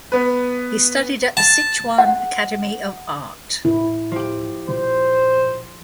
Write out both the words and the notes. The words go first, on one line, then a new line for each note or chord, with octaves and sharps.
He studied at the Sichuan Academy of Art.
B3 B4
A5
F#5
A2 E4
F3 G4
A#2 C5